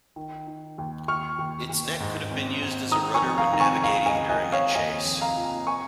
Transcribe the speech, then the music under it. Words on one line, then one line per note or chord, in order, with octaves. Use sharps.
Its neck could have been used as a rudder when navigating during a chase.
D#3
D#3
D#2
D#2 C#6 F6
D#2
D#2
G#2
G#1
G#1
D#3 A#5 D#6
G#5 C#6
F1
F5 A#5
D#3 A#5
G#5 C#6
C#2 F5 A#5
D#5 G#5
C#2
D#5 G#5
C#2
C#5 F5
D#2 D#5 G#5
F1
F5 A#5
F3
G#5 C#6